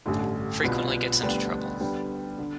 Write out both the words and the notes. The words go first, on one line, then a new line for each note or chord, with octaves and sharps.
Frequently gets into trouble.
A1 G2 D3 A3
C2 B2 B3 D4 F4
D2 D3 G3 B3 D4
D3 G3 B3
D3